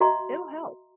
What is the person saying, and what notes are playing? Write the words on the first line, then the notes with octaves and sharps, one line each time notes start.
It'll help.
F#4 D#5 E5 A#5 C6